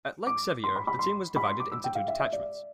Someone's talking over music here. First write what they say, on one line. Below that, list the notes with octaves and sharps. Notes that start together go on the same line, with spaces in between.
At Lake Sevier, the team was divided into two detachments.
D6
C6
B5
B5
C6
B5
C6
D6
E6
G5
F5
E5
E5
D5